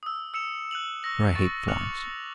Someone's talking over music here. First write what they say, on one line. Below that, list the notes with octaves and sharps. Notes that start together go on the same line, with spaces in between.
For I hate Florence.
D#6 E6
E6 C#7 E7 F7
F#6 D#7 F7 F#7
C#6 E6 A#6 F#7
C#6 A6
D6 F6 F#6 C#7 F7 F#7